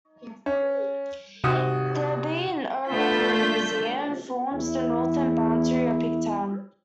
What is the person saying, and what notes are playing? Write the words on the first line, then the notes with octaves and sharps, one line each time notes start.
The B and O Railroad Museum forms the northern boundary of Pigtown.
C#4
G#1 C3 F#4 D#6
A3 D4 F4 G6 B6
E2 E4